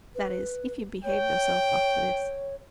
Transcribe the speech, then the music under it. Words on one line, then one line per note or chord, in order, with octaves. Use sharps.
"That is, if you behave yourselves after this."
B4
C#5 G5